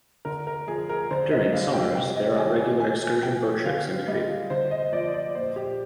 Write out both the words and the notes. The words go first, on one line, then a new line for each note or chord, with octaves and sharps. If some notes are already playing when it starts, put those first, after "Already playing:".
During summers there are regular excursion boat trips in the creek.
D3 A#4
A#4
F3 G#4
A#4
D3 C5
D#5
G3 F5
G5
C3 G5
D#5
D#3 G3 G#5
G#5
A#2 G#5
F3 G5
D3 F5
G3 D#5
D3 C5
D#5
F3 D5
D5
A#2 C5
G4